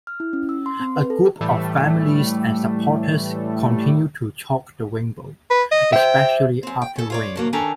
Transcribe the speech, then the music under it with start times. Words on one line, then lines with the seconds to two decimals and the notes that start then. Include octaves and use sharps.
A group of families and supporters continue to chalk the rainbow, especially after rain.
0.07 F6
0.20 E4
0.33 C#4
0.49 E6
0.66 C6
0.80 C4
0.96 B4
1.10 A4
1.41 A2 E3 G3 A3
5.50 B4
5.72 D#5
5.92 C5 E5 G5
6.63 F#2 C4
6.82 G5
6.96 C#4 A4
7.10 F4 C#5 D5
7.36 G2 F#3 A#3
7.53 D#3 C#4 D4 A4 A#5